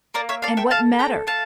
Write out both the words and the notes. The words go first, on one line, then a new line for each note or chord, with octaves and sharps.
And what matter?
A#3 A#4 D5
C#5 E5
A4 D5 F5
E5 G5
A3 F5 A5
A4 G5 A#5
A3 F5 A5